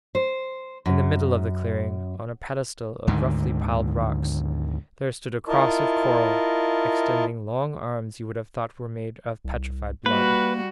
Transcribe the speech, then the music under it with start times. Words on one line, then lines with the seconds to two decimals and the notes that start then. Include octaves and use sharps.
In the middle of the clearing, on a pedestal of roughly piled rocks, there stood a cross of coral, extending long arms you would have thought were made of petrified blood.
0.15 C5
0.86 F#2
3.07 D2 G#2 D3 D#3
5.48 E4 F4 A#4 D#5 A5
9.45 C2
10.06 G3 A#3 F#4 B4